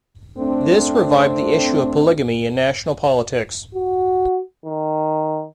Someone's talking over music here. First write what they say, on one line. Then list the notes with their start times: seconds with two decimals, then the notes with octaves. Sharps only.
This revived the issue of polygamy in national politics.
0.38 A3 C4 D4
3.75 F#4
4.66 D#3